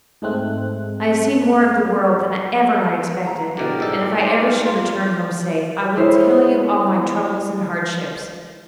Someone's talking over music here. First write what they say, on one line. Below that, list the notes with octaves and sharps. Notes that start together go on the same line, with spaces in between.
I have seen more of the world than ever I expected, and if I ever should return home safe, I will tell you all my troubles and hardships.
G#2 G#3 A3 C4 F#6
A#5
B2 D3 E4 G4 A#4 D5
G#2 A4
D#4 B4 C5
F4
D5
G#3 E4 C5 C#5